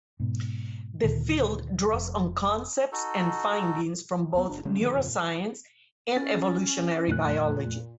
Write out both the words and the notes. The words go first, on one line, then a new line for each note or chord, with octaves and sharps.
The field draws on concepts and findings from both neuroscience and evolutionary biology.
G#2 B2
D2 A#2 D#3
F1
D#4 F#4 A4
D2 B3
F#1 D4
C#3 G#3 C#4 D4
G2 D3 D#3 F3
F2 G#2 C#3 F3
A#2
C#4 A6
F2 A#2 A3 F#6